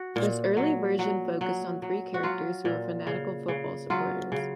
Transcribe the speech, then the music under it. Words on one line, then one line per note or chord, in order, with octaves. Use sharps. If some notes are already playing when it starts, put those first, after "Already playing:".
This early version focused on three characters who were fanatical football-supporters.
Already playing: F#4
A#2
F#3
F#3
F#3
F#3
F#4
F#3 F4
A#2
C#3
C#3
F#3 F4
C#3